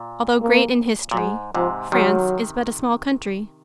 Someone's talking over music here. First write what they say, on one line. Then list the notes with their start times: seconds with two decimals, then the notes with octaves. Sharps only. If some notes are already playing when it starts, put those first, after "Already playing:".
Although great in history, France is but a small country.
Already playing: A#2
0.42 A#3
1.11 A#2
1.17 G#2 G#3
1.55 G#2 C3 F3
1.92 C3 D#3 F#3